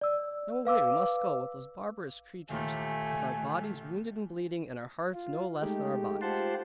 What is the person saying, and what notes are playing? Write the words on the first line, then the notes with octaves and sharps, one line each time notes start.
Now away we must go with those barbarous creatures, with our bodies wounded and bleeding, and our hearts no less than our bodies.
D5 E6
B4 F5 D6 E6
D#2 A#2 D#3 A3 G#5
F4
G#3 A3 D#4 G4
F4 G4 C5 F#5 A5 C6